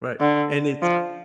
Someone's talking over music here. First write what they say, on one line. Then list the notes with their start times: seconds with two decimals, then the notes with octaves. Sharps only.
Right. And it's
0.20 D3
0.83 F3